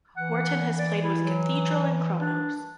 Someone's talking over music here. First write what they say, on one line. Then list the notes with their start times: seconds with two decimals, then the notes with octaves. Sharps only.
Wharton has played with Cathedral and Cronos.
0.17 E3 F#5
0.79 D5
1.03 E4
1.24 F#3
2.20 D4